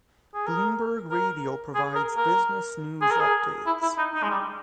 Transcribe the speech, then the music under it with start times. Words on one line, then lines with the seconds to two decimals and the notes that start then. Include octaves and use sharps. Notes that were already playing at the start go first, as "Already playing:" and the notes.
Bloomberg Radio provides business news updates.
0.34 G#4
0.47 A#4
1.10 A#4
1.75 G#4
1.95 A#4
2.17 A#4
3.01 G#4
3.11 A#4
3.20 G#4
3.66 E4
3.82 E4
3.98 D#4
4.14 D#4
4.23 G#3
4.30 G3